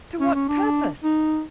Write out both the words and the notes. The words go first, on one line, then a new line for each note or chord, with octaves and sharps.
'To what purpose?
C#4
C#4
D4
D#4